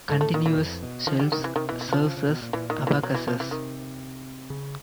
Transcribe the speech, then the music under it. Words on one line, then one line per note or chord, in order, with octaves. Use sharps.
Continuous shelves serve as abacuses.
G#2 A3
A2 A3
A#2 D#3
A#2 E3
F2
B2
D#3 F3
G3
D3
D#3
C3 E3
C3 D#3
E3
B2
E3
C3 F3
C#3
C#3
B2
A#2
A#2 E3
D#3
A#2
E3
B2 F#3
E3
C3 F3
E3
D#3
C#3